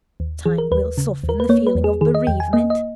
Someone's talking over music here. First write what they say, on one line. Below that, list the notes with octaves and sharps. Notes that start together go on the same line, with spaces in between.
Time will soften the feeling of bereavement.
D#2
E3 G#4
A#4
D#2 B4
C#3
D#2
A#4
B4
A#3 C#5
B4
E2
G#4
D#3 G#4
D#5
E2 G5
G#5
A#3 D#5
D#5